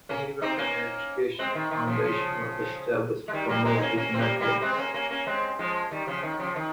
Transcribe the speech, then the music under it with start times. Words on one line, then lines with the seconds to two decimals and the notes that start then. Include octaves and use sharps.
The Haberman Educational Foundation was established to promote his methods.
0.09 A#3 C#4
0.42 C4 D#4
0.58 A#3 C#4
1.39 G#3 C4
1.55 D#3
1.71 D#3
1.87 C#3 F3
2.03 C#3 F3
3.28 G#3
3.33 D#3 G3
3.49 G3 A#3
3.65 G#3 C4
3.77 D#4
3.81 A#3 C#4
3.97 A#3 C#4
4.14 C4
4.19 G3 A#3
4.40 G3 A#3
4.62 G#3 C4
4.72 C4
4.78 A#3 C#4
4.94 A#3 C#4
5.10 A#3 C#4
5.27 G#3 C4
5.59 F3 G#3
5.91 D#3 G3
6.07 C#3 F3
6.23 D#3
6.39 C#3 F3
6.56 D#3